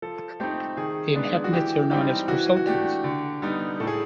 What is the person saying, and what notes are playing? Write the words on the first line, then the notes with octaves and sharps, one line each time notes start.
The inhabitants are known as Creusotins.
F3 A4
A3 C4 D#4 G4
D#3 G#4
G#3 B3 D4
F#4
E3 G4
G3 C4 D#4 G4
E3 F#4
F#4
A3 D4 G4
D3
G3 B3 D#4
A2 A4
G#4